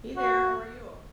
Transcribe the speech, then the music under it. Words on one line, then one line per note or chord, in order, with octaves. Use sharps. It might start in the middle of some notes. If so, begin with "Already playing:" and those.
Hey there, how are you?
F#4